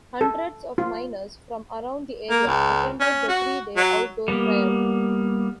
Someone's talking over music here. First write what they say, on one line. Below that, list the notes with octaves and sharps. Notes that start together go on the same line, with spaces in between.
Hundreds of miners from around the area attended the three-day outdoor trial.
A4
F4
A#3
C#2
C#4
F#4
F#3
G3 A#3 B3